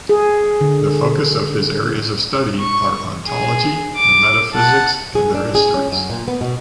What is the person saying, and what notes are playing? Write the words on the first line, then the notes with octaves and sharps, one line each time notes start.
The focus of his areas of study are ontology and metaphysics and their histories.
G#4
D3
C#6
G#4
D6
F#5 A5
G#4
D4
G#4
C#4
F#2
A#2
B3
B2